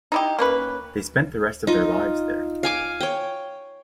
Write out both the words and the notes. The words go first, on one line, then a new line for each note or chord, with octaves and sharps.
They spent the rest of their lives there.
D#4 E4 G4
A#3 C#4 B4
D#4 F4
F5 G#5 D6
C#5 G5